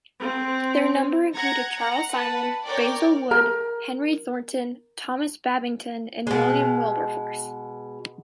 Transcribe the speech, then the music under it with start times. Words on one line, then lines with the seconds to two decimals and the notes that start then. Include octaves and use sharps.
Their number included Charles Simeon, Basil Woodd, Henry Thornton, Thomas Babington and William Wilberforce.
0.20 C4
1.35 F#5 A#5 G#6 A#6 C#7
1.75 F#5 A#5
2.10 B4 F#5 A5
2.65 A#4 C#5 D5 G5 D6
3.31 A#4 A#5
6.27 B2 G#3